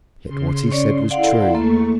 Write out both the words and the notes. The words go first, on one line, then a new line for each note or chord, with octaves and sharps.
Yet what he said was true.
C#3 C6
C#4 C#5 D5
E4 A4 D5 F5 F#5 C6
E2 A3 A#3 A4 C#6